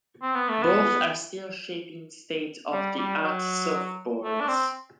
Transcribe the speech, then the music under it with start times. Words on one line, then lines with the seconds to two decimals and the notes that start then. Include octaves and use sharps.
Both are still shaping state of the art surfboards.
0.22 C4
0.35 B3
0.49 A3
0.62 B3
2.72 G3
2.98 G3
3.23 F#3
4.24 A3
4.40 D4
4.48 C4